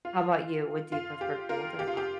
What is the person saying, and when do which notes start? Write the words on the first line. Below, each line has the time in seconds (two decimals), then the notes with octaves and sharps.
How about you? Would you prefer cold or hot?
0.05 F4
0.92 F4
1.21 G4
1.49 F4 A#4
1.79 G4
1.87 F4
1.97 G4